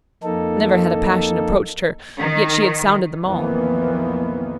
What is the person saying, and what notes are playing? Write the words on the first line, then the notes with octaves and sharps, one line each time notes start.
Never had a passion approached her, yet she had sounded them all.
F2 A#3 D#4 A4
D#3
B1 F2 D#3 E3 A#3 B3